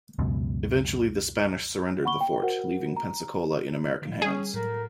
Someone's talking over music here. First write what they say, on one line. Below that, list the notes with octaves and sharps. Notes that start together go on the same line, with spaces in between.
Eventually the Spanish surrendered the fort, leaving Pensacola in American hands.
C#2 F#2 B2
F#5 B5 C#6 G7
G5
F#4 A#4 C5 F#5
A#5
D3 F3
G3 C#4 G#4
A2 F#3 A#4